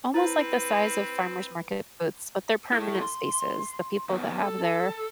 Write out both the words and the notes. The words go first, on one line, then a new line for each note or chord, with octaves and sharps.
almost like the size of farmers' market booths, but they're permanent spaces, the people that have their
C4 E4 B4 C5
E4 A4
C6
D#3 B3
A4